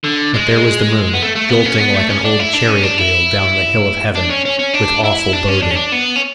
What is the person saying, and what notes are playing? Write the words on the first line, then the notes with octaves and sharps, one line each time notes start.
But there was the moon jolting like an old chariot-wheel down the hill of heaven, with awful boding!
D3
G#3
B3
A3
A3
B3
C#4
B3
A3
C#4
D4
E4
D4
C#4
D4
E4
D4
C#4
C#4
C#4
D4
E4
D4
C#4
D4
C#4
D4
B3
C#4